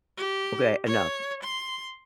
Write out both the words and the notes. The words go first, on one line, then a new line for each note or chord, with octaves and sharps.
okay, eh, none."
G4
C#5
C6